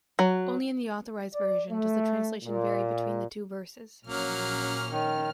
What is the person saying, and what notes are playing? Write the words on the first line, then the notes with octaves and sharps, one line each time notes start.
Only in the Authorized Version does the translation vary between the two verses.
F#3
D5
A3
A#2
A#1 F#3 A#3 C#4 F6
D#3